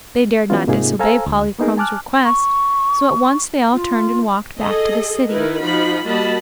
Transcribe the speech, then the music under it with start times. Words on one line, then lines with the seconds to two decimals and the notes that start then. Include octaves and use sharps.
They dared not disobey Polychrome's request, so at once they all turned and walked back to the City.
0.50 E3 F#3 G3 B3 C#4 F4
0.67 G#2 C3 A#3 D#4 F4 G#4
0.99 A4 C5 F5 G#5 A#5 E6
1.26 D2
1.59 A#3 B3 D#4 G#4 A#4
1.78 G#5 A5 D6 F6 F#6
2.25 C#6
3.73 F4
4.59 G#4 A4 D#5
5.30 D#3 D#4 E4 A#4 B4
5.61 F3 D#4 F4 F#4 B5
6.05 G3 A#3 F#4 D#5 A5 B5